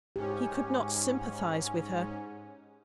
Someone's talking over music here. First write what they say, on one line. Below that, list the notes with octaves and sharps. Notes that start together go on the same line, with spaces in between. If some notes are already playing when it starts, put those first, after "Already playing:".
He could not sympathise with her.
G#2 C#4 G4